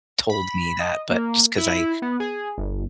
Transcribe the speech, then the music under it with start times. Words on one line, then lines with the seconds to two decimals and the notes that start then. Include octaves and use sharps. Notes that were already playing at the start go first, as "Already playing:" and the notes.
told me that, but just 'cause I
0.29 B5
0.80 D#5
1.10 A#3
1.58 E4
2.02 B3
2.20 G#4
2.58 G1